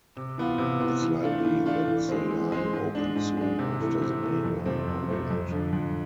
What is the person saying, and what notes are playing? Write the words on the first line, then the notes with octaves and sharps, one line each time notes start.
It is likely that the line opened soon after the main line opened.
C3
E3 B3 F4
C3
E3 B3 F4
E3
A3 D4 F4
E3
A3 D4 F4
E3
G#3 C4
E3
G#3 C4
G#2
G#3 D4
G#2
G#3 D4
C3
E3 A3
C3
E3 A3
F2
C3 F3 A3 C4
F2
C3 F3 A3 C4
F2
D3 F3
F2